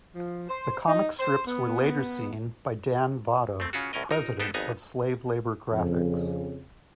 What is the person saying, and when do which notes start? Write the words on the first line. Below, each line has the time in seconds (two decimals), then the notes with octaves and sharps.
The comic strips were later seen by Dan Vado, president of Slave Labor Graphics.
0.15 F3
0.48 C5
0.87 D#4
1.19 C5
1.47 B3
3.60 A3 C4
3.73 C#3 C#4 F4 F#4
3.93 C2 A2 C#4 A#4 D#5
4.09 G1 D#4 A#4
4.40 B3 D#4 G4 A4 C5
4.54 G#1 F2 B3 D#4 G#5 A#5
5.72 F2 C#3